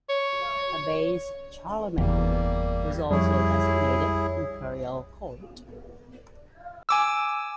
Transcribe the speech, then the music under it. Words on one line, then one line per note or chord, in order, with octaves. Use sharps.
A base Charlemagne was also designated imperial court.
C#5
F#1 E2 G3 A#3
F2 G3 E4 G#4 C#5
G#5 D6 E6